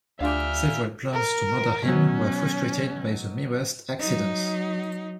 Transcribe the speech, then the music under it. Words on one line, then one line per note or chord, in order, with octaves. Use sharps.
Several plans to murder him were frustrated by the merest accidents.
D2 D3 F4 G4 E5 F5 G#5 F6
A#4
B2 F#3 C#4
F#3 D#4